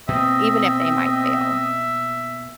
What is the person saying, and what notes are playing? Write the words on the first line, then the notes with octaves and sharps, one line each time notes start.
even if they might fail.
B2 A#3 C4 D#5 E5